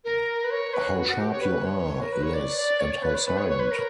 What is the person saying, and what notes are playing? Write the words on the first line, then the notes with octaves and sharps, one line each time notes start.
How sharp you are, Liz, and how silent!
A#4
B4
C#5
B4
F#4
F#4
G4
C#5
B4
C#5
A#4
B4
C#5
D5
D5
C#5
B4
C#5
B4
C#5
C#5
B4
A#4